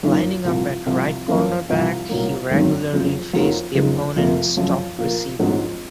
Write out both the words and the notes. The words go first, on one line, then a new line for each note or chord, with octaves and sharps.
Lining up at right cornerback, he regularly faced the opponent's top receiver.
F#2 D#3 A#3 F4
C2 A#2 F3 C4
C2 C3 F3 C4
F#2 F3 A#3 C#4 F4
C2 A#2 F3 C4
C2 A#2 F#3 A#3
G#1 F#2 D#3 F#3 C4
F#1 F2 C#3 F#3
F2 D#3 F#3 A#3
F#1 F2 C#3 G#3 D#4
F1 F2 C3 F3 A#3
F#2 C#3 F3
A#2 F3 A#3
A#1 G#2 D#3 F#3 C4